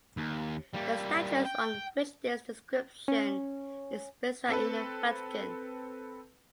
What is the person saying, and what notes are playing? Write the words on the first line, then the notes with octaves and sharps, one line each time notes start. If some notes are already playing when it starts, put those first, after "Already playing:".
The statues on which this description is based are in the Vatican.
D#2
G3 A#3
G5
C#4
C4 A4 B4